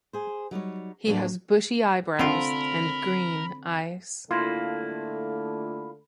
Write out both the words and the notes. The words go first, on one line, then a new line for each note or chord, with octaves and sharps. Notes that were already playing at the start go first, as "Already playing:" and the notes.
He has bushy eyebrows and green eyes.
G#4 C5
F#3 G3 D#4 C#5
E2 A2 F#3 G3 A#3 D4
D3 C4 F4 A4 A#4 B5
A2 D3 A3 A#3 E4 F4 A4